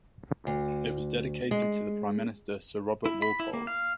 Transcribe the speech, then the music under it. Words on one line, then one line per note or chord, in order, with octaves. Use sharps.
It was dedicated to the Prime Minister Sir Robert Walpole.
D2
G#3
E4
B5
E4
A#3
F5